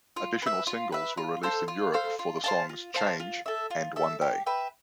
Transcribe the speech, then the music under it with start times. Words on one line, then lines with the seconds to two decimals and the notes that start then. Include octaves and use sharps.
Additional singles were released in Europe for the songs "Change" and "One Day".
0.16 F4
0.42 B4 E5
0.67 F4
0.92 B4 E5
1.17 F4
1.43 A4 C5 F5
1.68 F4
1.93 A4 C5 F5
2.19 F4
2.44 C5 F5 A5
2.69 F4
2.94 C5 F5 A5
3.20 F4
3.46 A4 E5
3.70 F4
3.96 A4 E5
4.21 G4
4.46 B4 E5 G5